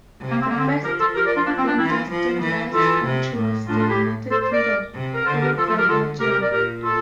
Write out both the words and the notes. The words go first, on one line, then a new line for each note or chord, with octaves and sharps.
The first industrialized country was the United Kingdom, followed by Belgium.
C3
A#3
C4
D3 A#3
C4
F3 G4 A#4
F4 A4
G4 A#4
A#4 D5
D4 F4
A#3 D4
C4
A#3 D4
E3 C4 E4
D4 F4
F3
E3
E3 F4 A4
C3
A2
A2 D4 F4
D4 F4
E4 G4
A4 C5
A4 C5
A#4 D5
C3
A#4
D3 A4 C5
G4 A#4
F3 F4 A4
F4 A4
G4 A#4
D3 F4 A4
C3 G4 A#4
G4 A#4
A#4 D5
A#2 G4 A#4
F4 A4